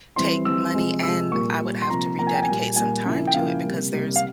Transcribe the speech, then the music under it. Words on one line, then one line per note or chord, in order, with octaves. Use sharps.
take money, and I would have to rededicate some time to it, because there's
E3 G3 C4 E4 C6
E3 G3 C4 E4 E6
C3 F3 G#3
C3 F3 G#3 E6
A#2 G3 A#3 C#6
A#2 G3 A#3
C6
C3 F3 A#3 A#5
C3 F3 A#3 A#5
G#5
G5
G#5
A#2 G3 A#3
A#2 G3 A#3 G#5
C#3 F3 A#3 E4
G5
C#3 F3 A#3 E4 F5
C3 G3 A#3
C3 G3 A#3
F5